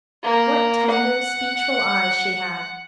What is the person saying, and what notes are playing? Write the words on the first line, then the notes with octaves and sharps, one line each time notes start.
What tender, speechful eyes she had!
A#3
F#5